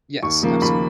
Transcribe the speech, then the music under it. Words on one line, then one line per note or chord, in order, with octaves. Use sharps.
Yes, absolute.
D#2 C#6
C#3 F3 A#3
D#2 B5